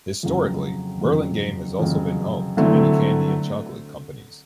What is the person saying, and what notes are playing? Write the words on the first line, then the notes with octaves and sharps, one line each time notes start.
Historically, Burlingame has also been home to many candy and chocolate companies.
F2 C#3 F#3
F2 C#3 F#3
F2 C#3 F#3
D3 F#3 A3 C4 E4